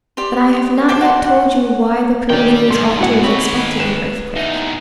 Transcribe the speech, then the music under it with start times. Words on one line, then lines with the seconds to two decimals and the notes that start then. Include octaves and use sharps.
But I have not yet told you why the Peruvians ought to have expected an earthquake.
0.17 G4 D5 C6
0.89 C5 G5 A5 D6
1.01 F#4 C6
1.24 F#5
2.30 B2 D#3 C#4 D4 B4 D5 G5
2.70 G#2 B2 A4 C6
2.98 E4 F#4 F#5
3.23 D#3 C4 C#5 B5 C#6
3.80 B4 E7
4.36 E2 D#4 E5